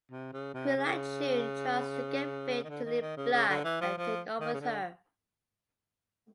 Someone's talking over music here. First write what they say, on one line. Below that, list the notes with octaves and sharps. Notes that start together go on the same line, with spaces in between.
Quilla June tries to get Vic to leave Blood, and take off with her.
C3
C#3
C3
C#3
D#3
D3
D#3
D#3
C#3
C#3
D3
E3
F3
F3
D#3
C#3
D3